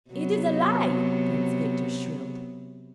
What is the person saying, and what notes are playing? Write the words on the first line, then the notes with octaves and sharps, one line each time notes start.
"It is a lie!" Prince Victor shrilled.
C3 F#3 B3